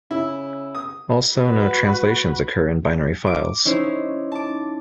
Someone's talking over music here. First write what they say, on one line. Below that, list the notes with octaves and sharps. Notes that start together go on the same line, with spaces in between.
Also no translations occur in binary files.
C#3 E4
D#6
F#4 B4
D6 D7
C#4 D#4 E4 C5
A5 D6